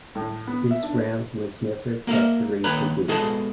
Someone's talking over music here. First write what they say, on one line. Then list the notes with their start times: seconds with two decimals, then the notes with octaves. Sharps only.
This round was never factory produced.
0.15 A2
0.47 B3
0.71 E5
0.83 D4
2.07 A#3 A#4 E5
2.64 D#2 B4 C#5 A#5 B5
3.08 B2 G#3 G#4 A4 D#5 A5